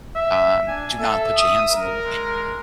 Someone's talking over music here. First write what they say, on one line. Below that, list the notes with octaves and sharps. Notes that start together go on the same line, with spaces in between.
Um, do not put your hands in the wa
E5
D4 G#5
A4 E5
D#6
A#4
G#3